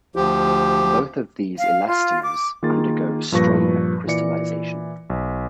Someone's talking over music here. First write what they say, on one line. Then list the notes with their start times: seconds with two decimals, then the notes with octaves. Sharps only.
Both of these elastomers undergo strain crystallization.
0.16 D2 F3 G4
1.58 F5
1.87 F4
2.22 D6
2.63 D#3 A#3 F4 G#4 A6
3.32 G2 A#2 F3 B4 C#6 A#6
4.07 A#2 E3 D5 C#7
5.10 B1